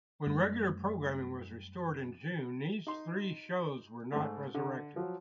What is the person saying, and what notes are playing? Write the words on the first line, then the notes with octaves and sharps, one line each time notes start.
When regular programming was restored in June, these three shows were not resurrected.
F#2 G3 A3
D#4 C6
G#2 A3
D3
F3 F#3